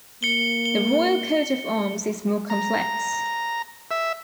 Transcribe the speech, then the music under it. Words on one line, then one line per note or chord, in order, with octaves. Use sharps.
The Royal Coat of Arms is more complex.
A#3 C#7 G7
G7
A#5
E5